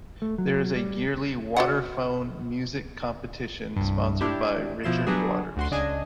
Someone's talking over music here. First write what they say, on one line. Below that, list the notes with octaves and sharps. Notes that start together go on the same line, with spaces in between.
There is a yearly "Waterphone Music Competition" sponsored by Richard Waters.
A3
F#3
G3
F#4 D5 F#5
C2 G2
D4 E4 G4
B2 F3 E4 C6 E7
F#3 G3 B3 D4 F#4 G#4
D2 F#4 C6
C#2 D4 G#4 D#5 G#5